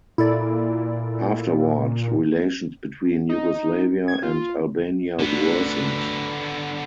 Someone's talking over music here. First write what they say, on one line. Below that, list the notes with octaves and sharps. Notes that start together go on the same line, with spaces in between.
Afterward, relations between Yugoslavia and Albania worsened.
A#2 E4 A4 D5
D#4
G#6
F4
D2 D3 B3